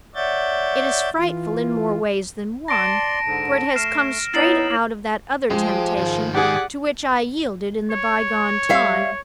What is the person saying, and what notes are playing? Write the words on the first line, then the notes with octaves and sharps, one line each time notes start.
It is frightful in more ways than one; for it has come straight out of that other temptation to which I yielded in the by-gone time.
C#5 D5 E5 F#5 G6 A6
E3 F4
D5 A5 C6 A#6 D7 E7
G#2 D3
A3 F6 C7 E7
B3 D#4 E4 C#5 A6 C7 F#7
F3 G#3 G4
G#2 D#3
G4 G#4 D5 F#5
C#5
G3 E5 F5